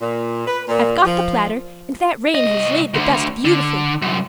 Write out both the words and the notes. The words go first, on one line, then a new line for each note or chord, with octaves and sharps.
I've got the platter, and that rain has laid the dust beautifully.
A#2
B4
A#2
F3
C2 D#5
D2 D3
D3
C2 F#2